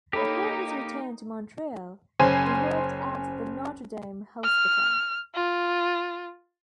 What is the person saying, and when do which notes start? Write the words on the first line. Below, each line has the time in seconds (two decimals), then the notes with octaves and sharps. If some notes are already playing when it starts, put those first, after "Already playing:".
Upon his return to Montreal, he worked at the Notre-Dame Hospital.
0.13 A#3 D#4 G4 A4 C#5 B5
2.19 F#1 C#4 C5 G#5
4.43 F6
5.34 F4